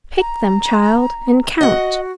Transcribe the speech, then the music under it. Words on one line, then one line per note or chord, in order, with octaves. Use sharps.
Pick them, child, and count.
A#5
F#4 D#5 F#5